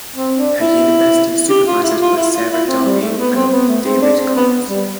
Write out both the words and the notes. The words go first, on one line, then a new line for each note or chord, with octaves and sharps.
Her university supervisors were Sarah Darby and David Cox.
C4
D4
E4
G4
F4
E4
F4
E4
F4
E4
C4
G3
A3
B3
C4
B3
A3
C4
D4
C4
B3
G3